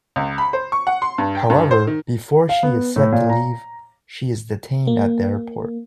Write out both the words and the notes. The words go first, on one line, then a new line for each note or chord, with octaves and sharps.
However, before she is set to leave, she is detained at the airport.
C#2
B5
C5
C#6
F#5
C6
G2
G5
G2
C5
D#3
F5
B3
A2
A#2
A#5
A#3